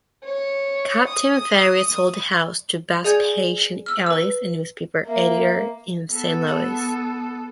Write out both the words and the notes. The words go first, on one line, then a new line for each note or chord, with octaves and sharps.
Captain Ferris sold the house to Vespasian Ellis, a newspaper editor in Saint Louis.
C#5
D#6
G#4 D5 G#5 G6 G#6
E6 F6
B4 E6
A#3 E5
B3 A4